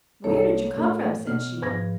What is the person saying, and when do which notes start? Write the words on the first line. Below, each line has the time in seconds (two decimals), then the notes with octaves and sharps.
"Where did you come from?" said she.
0.24 C2 D#4 A4 C#5
0.76 A2 A#4
1.27 B2 F6
1.62 G#2 F3 B4 G#6 A#6